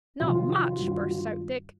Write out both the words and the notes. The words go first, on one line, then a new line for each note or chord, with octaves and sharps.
"Not much!" burst out Dick.
F2 C3 D#3 F#3 F4
F4
F4
F4
G2 D#3 F#3 F#4
F4
F#4
F4